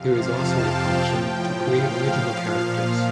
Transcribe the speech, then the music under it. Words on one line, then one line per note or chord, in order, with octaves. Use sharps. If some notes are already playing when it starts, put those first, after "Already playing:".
There is also a function to create original characters.
Already playing: F2 C3 F3 F5
A5
G5
A2 F3
F5
A#2 F3